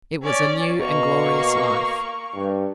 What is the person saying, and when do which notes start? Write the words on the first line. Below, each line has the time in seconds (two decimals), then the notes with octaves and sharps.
It was a new and glorious life.
0.22 C#4 D5
0.78 B2 A#3 C#6
2.34 G2